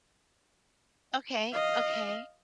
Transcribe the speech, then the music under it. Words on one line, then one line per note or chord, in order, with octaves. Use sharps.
Okay, okay.
D#5 F5